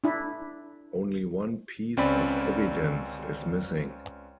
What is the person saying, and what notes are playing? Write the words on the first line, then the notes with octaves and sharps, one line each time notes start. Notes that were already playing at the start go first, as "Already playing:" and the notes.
Only one piece of evidence is missing.
D4 E4
C#2 C4 C#4 D5 B5